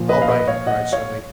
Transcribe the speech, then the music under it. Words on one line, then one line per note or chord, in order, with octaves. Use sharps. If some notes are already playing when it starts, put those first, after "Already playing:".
"All right!" he cried suddenly.
Already playing: A#2 F3
B4 D#5
F5
B4 D#5
C#5 F5
D#5 F#5
C#5 F5